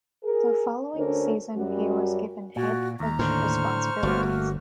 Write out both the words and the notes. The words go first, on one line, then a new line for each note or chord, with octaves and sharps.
The following season he was given head coach responsibilities.
G#4 A#4
D2 D3 C#4 D4 A#4 C5
F#2 G3 F#4
A#2 F#4
D#2 A#5
A2 D3 C5 C#6 F6
G1 A3 A#3 F#4